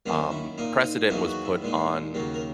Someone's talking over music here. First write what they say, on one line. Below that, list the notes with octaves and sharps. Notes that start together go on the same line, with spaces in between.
um, precedent was put on,
F#2 D#3 A#3 C#4
E4
A#2 A#3 D#4
D#4
E2 D#3 F#3 A#3 D#4 E4
F#4
E4
A#2 G#3 D#4
D#2 C#3 F#3 A#3
A#4